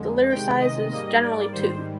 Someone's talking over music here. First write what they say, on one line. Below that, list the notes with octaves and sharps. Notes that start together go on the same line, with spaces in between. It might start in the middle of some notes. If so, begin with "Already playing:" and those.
The litter size is generally two.
Already playing: F2 D3 G#3
C3 D#3 G#3 G5
D#5
G#2 G3 A#3 D#5
D5
G#2 D#3 G3 C5